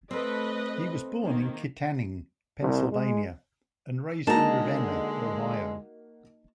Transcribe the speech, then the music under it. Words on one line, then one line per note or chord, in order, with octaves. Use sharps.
He was born in Kittanning, Pennsylvania, and raised in Ravenna, Ohio.
A3 C4 A4 B4 D#5
D#3 A#3
C2
G#3
D3 G#3 A#3 D#4 F#4 A5 A#5